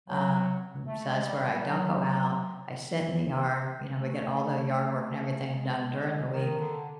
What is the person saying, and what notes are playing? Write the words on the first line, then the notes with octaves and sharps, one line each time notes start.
Um, so that's where I don't go out, I sit in the yard, you know, we get all the yard work and everything done during the week,
F#3
A3
G#3
G3
G3
F#3
A3
G#3
D#3
D3